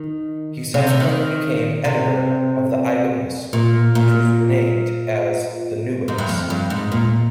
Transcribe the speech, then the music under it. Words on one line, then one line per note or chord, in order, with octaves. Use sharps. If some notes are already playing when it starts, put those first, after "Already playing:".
He subsequently became editor of the "Eye-Witness", which was renamed as the "New Witness".
Already playing: D#3
C3
D3
D#3
C3
A#2
A#2
G#2
G2
F2
G2
G#2
A#2